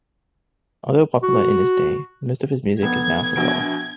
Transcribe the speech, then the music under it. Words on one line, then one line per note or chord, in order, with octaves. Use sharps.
Although popular in his day, most of his music is now forgotten.
F#4
F1 B3 G#6
A#1 B2 D7